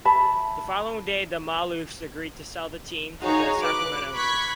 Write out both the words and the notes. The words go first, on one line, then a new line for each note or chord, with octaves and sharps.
The following day, the Maloofs agreed to sell the team to the Sacramento group.
E5 A5 B5
D#4 F#4 G#4 C#5 F5 A#5
B4 D6 F#6
B5 C#6 F#6 G#6 B6